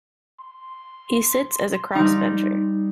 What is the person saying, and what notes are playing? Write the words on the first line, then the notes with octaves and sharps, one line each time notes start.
He sits as a Crossbencher.
C6
G3 D#4